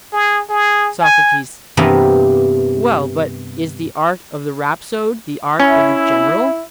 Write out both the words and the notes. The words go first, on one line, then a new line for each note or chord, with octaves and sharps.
SOCRATES: Well, but is the art of the rhapsode the art of the general?
G#4
G#4
G#5
G2 C3 E3 A#3 B3 A#5
C#4 E4